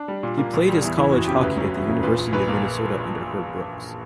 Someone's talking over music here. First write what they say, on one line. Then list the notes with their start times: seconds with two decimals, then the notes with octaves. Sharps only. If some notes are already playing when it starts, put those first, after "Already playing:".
He played his college hockey at the University of Minnesota under Herb Brooks.
Already playing: D4
0.08 G3
0.23 A#2
0.38 A#3
0.54 A#1
0.69 G3
0.83 E2 E4
0.98 E3 E4
1.12 F#1 F#4
1.28 C#3 G4
1.42 D2 B4
1.57 F#3
1.73 E1
1.89 C#3
2.03 A#2 B4
2.18 A#1
2.33 A#1 B4
2.48 A#3